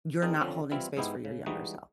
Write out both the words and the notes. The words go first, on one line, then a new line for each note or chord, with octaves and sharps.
You're not holding space for your younger self."
C4 D#4 G#4 A#4 D5
D3 F3 C4 C#4
E3 G3 C4 E4 F4
G#2 G#3 B3 D#4 E4 G4
C#3
E3 G3 G#3 D#4 F#4